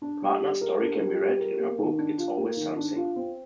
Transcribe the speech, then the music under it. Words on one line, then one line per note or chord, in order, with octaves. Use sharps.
Radner's story can be read in her book, "It's Always Something".
D4
G3
G4
A#4
D4
G3
G4
A#4
A#3
D#3
D4
F4
A#3
D#3
D4
F4
C4